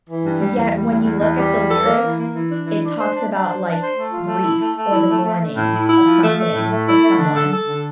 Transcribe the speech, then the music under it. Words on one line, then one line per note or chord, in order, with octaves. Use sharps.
yet when you look at the lyrics, it talks about, like, grief or the mourning of something or someone,
E3
G2
G3
E2
G3
E2
E2
E2
G3
E2
A4
A#3
E3
A#3
E3
D4
E3
D4
C5
D4
D4
C5
D4
C5
A3
F4
A3
E4
A3
A3
E4
A3
A3
A3
A2
E4
E4
F3
A3
A3
A2
A3
E4
A3
D3
A4
A4
D3